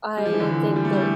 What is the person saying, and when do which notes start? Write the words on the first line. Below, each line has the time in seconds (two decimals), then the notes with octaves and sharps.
I think that
0.17 G3
0.25 F3
0.33 E3
0.40 D3 F3
0.76 G3
0.85 A3
0.92 E3 G3